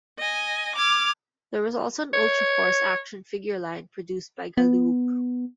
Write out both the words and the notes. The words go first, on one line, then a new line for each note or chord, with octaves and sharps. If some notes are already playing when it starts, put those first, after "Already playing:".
There was also an "Ultraforce" action figure line produced by Galoob.
D#5 G#5
D6 F6 G#6
C#5
B3